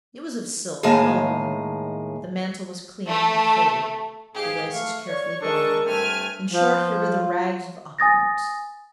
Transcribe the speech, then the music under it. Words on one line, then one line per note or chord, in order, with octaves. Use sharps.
It was of silk, well-worn; the mantle was clean, though faded; the laces carefully darned; in short, here were the rags of opulence.
D#2 A2 G#3 D#5 F5 A5
A3
G#2 G4 G#4 F5
A3 F5 C#6
C#5 D5
G#3 D4 A4 A#4 D#5 C#6
G2 A3 C4 G#5 F6
F3 F4
G#5 D#6 A6 A#6